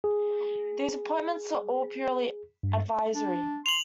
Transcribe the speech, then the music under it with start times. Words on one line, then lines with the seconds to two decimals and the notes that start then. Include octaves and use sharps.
These appointments are all purely advisory.
0.04 G#4
2.63 G2
3.15 D4
3.66 C6 F7 F#7